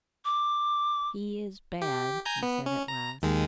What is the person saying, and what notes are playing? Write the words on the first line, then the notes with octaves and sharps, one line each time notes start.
"He is bad," he said at last.
D6
G4
G#5 A#5 G6
B3
C#4
A#5
D#2 D#3 G#3